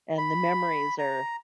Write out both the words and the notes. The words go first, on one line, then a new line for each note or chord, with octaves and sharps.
and the memories are
B5
A#5